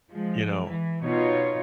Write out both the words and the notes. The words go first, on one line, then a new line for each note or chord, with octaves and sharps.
You know
F3 G#3
E3
B2 D#4 F4 C#5